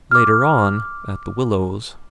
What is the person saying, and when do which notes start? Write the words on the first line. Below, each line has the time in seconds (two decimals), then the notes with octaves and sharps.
Later on at The Willows....
0.11 D6 F6